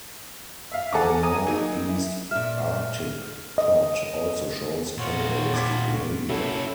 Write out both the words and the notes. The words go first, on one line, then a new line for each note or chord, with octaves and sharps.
The northeast Arctic cod also show cannibalistic behaviour.
E5 F5
A4 F#5 G#5 A#5 D6
G#5 A#5 D#6 D#7
F#3 A#3 D#4 G#4
E4
A#2 E5 F6
D#5
A#2 F4 F#4 C#5
D6 G#6 B6
A#3 C#4 E4 F#4 A4 E5